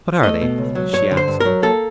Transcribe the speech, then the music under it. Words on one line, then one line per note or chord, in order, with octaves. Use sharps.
"What are they?" she asked.
A3 D#5
B2
C#2
F#3
G2 C#5
D3
C5
G2
F#3 A#4
A#3 A4